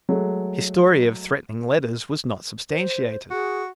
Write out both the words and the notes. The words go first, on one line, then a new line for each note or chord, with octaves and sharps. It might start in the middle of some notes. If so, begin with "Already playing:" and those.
His story of threatening letters was not substantiated.
F#3 G#3 A3
C5
F#4 G#4